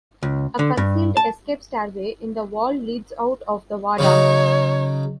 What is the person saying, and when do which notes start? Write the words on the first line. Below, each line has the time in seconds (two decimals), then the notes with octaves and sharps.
A concealed escape stairway in the wall leads out of the Wada.
0.23 C#2
0.59 D3
0.77 G2
1.17 A5
3.99 C#3 F#3 D#4 C#5